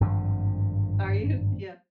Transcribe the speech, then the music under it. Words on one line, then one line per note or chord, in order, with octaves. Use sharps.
Are you? Yeah.
G#1 G2 D3 F3